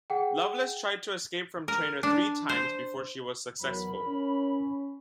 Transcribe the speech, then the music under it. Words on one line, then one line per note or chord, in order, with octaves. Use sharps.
Lovelace tried to escape from Traynor three times before she was successful.
G#4 F#5 G5
A#4
D4
C5
E2 F#3 E4 A#4 B5
C#4